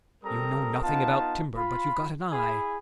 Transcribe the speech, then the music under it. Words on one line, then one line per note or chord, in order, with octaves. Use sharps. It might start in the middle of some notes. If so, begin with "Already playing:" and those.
You know nothing about timber, but you've got an eye.
G3 C4 A4 A#4 A#5 D#6
B3 D#4 F4 A5
F4 B5
E4 G#4 G#5 B5